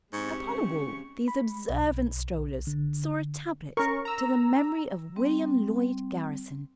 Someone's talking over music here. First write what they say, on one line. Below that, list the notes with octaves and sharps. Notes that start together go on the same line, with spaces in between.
Upon a wall these observant strollers saw a tablet to the memory of William Lloyd Garrison.
G#2 G#3 C4 G4 C#6
C#3
B5
B1
D3
C#4 A#4 C#6
A#5 E6
G3 C4